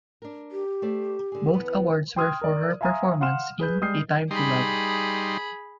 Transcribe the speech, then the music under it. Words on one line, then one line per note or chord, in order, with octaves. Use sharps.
Both awards were for her performance in "A Time to Love".
D4 A#4
G4
A3 C5 D5
D3 G#4
E2 B3 B4
G5 C6 D#6 F6 G#6
A#4 D5
E5 F5 G#5 A#5 C6 D#6
F5 F#5 C6 F6 E7
G#4 B4 G6
G3 G#3 D#6 F6 G6 C7
G3 D#4 G#4 B5 C6